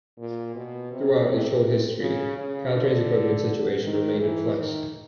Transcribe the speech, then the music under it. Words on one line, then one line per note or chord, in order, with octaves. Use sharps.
Throughout its short history CalTrain's equipment situation remained in flux.
A#2
B2
C3
C#3
C#3
D3
D#3
E3
D#3